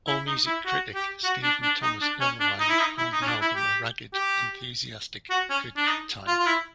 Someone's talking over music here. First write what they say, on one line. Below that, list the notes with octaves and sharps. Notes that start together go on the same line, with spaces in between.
AllMusic critic Stephen Thomas Erlewine called the album a ragged, enthusiastic good time.
E4
D#4
E4
F#4
G4
F#4
D4
D4
D#4
D4
C#4
D4
D#4
E4
D#4
E4
D#4
C#4
D4
E4
G4
G4
F#4
C#4
D4
D#4
F4
F4
E4